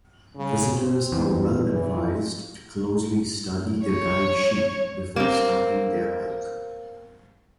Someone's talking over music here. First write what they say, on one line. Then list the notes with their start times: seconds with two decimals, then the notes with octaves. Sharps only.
Visitors are well advised to closely study the guide sheet before starting their hike.
0.36 C#3
0.75 C4
1.12 E2
1.70 E3
3.85 C#5
5.16 A#3 C4